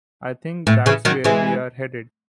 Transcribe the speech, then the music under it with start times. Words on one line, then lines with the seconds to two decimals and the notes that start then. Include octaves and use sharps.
I think that's where we're headed.
0.67 A2
0.86 C#3 E3
1.05 D#3 F#3
1.24 E3 G#3